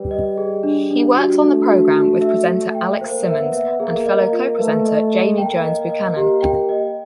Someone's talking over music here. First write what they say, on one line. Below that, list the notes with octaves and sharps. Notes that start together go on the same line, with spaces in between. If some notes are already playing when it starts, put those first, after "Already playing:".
He works on the programme with presenter Alex Simmons and fellow co-presenter Jamie Jones-Buchanan.
Already playing: G3 B4
D#5
G#4
D4
D4
F#4
A3 D4
F#4
F#4
E5
E5
G5
A#3 C5
E5
B3
E5
A#3 G#4
D#5
A#3
F4
A3 B4
D#5
D#5
A#3 G5
D#5
D#5
G4
G5
D#5